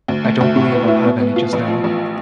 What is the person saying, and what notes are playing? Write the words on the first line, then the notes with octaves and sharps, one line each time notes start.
I don’t believe I’ll have any just now.
D2
A3
D2
A2
B3
E4
B2
B3
F4
A1
F3
A1